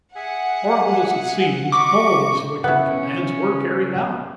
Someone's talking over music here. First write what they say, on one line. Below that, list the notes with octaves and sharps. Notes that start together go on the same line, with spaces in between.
Horrible as it seems, all these wicked commands were carried out.
G#4 E5 F#5 G#5
F#4 D#5 B5 C#6 D6
C#3 B3 C#4 E4 F#5